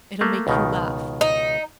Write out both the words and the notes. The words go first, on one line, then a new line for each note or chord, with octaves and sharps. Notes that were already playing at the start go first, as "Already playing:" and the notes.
It'll make you laugh.
A3 A#3
C#2 B2 D#3
D#4